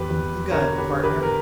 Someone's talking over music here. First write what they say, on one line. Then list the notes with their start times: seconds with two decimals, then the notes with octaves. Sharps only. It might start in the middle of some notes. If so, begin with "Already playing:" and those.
"The gun, partner."
Already playing: E2 G4 B4
0.11 E2
0.51 D3 A#4 C#5
0.78 G4 B4
0.91 D3
1.04 G4 B4
1.23 A#4